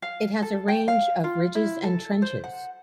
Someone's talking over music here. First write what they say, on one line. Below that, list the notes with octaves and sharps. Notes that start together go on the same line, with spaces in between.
It has a range of ridges and trenches.
F5
A4
G5
F5
F4
E4
A4
C5
F#5